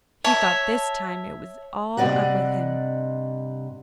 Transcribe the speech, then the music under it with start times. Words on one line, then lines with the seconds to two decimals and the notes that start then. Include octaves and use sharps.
He thought this time it was all up with him.
0.24 C#5 E5 A5
1.97 G2 C3 A3 D5 D#5 F#5